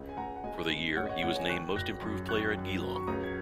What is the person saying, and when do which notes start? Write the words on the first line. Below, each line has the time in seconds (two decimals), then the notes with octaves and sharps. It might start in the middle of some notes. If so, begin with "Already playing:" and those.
For the year, he was named most improved player at Geelong.
Already playing: C#2
0.09 G#5
0.17 C#2 F#5 A#5
0.36 F#5
0.44 G#3 D#5 G#5
0.70 C#2
0.96 C#2 C#5 F#5
1.05 D#5
1.09 C#5 F#5
1.22 C#2 C#5 F#5
1.36 D#5 G#5
1.49 D#3 C#6 F#6
1.76 G#1 F#6 A#6
2.02 F#2
2.28 D#3 C#6 F#6
2.55 F#2
2.82 F#3
2.95 C#6
3.07 C#2 A#5 D#6
3.24 G#6